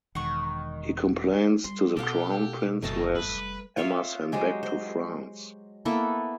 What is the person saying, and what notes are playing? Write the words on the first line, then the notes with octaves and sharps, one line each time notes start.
He complains to the Crown Prince who has Emma sent back to France.
E1 D#3 F#5 C#6
G3 C6
B2 B3 G4 A4 F5 F#5
F#1 F#2 C#3 E3 A3 D#5 A5
F1 E2 G2 B4
G3
F4 C#5 E5 F5
F#3 G#3 G4 C5
C5
A#3 B3 E4 A4